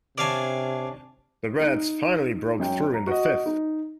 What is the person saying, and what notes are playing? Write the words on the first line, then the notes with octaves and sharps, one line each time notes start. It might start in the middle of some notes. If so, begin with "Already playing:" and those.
The Reds finally broke through in the fifth.
C3 C#4 D4 D5 F5 G#5
D#4
F#2 G5
A#5
F#4 D#5
D#4